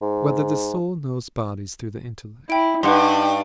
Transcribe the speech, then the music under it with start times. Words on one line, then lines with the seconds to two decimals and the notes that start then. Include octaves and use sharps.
Whether the Soul Knows Bodies Through the Intellect?
0.02 G#2
2.50 E4 G5 D7
2.83 G2 D#4 B4 F#5 C6